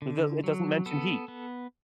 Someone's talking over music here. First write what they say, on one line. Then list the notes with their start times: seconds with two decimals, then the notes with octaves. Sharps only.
It does it doesn't mention heat.
0.02 D3
0.44 F#3
0.86 B3 A4
1.28 B3